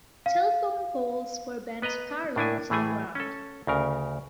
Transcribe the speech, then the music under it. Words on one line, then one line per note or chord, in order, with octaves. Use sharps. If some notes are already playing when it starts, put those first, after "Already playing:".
Telephone poles were bent parallel to the ground.
F5
B3 B4 D#5 A#5
A2 D4 E4 G#5
A2 E3 A3 G#4 G#5
C#4 A4
D2 C#3 A#4